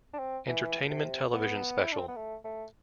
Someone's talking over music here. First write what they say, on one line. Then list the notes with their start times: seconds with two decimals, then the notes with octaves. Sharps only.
Entertainment Television special.
0.13 D4
0.19 C4
0.48 E3
0.90 C3
1.32 B3
1.83 E4
1.92 D4
1.99 C4
2.08 B3
2.16 A3
2.45 A3